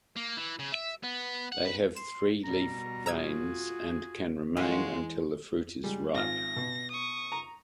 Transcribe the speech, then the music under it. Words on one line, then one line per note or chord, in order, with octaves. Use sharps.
They have three leaf veins and can remain until the fruit is ripe.
A#3
E3
C#3
E5
B3
F#5
B4
C6 E7
B2 G3 A#5
F4 F#4 G#4 A#5 E6 G#6
E3 G#3 C#4 F4 F#4
G3 G#3
G#1 F4 F6 A#6
B2
C#6 D#6
A#5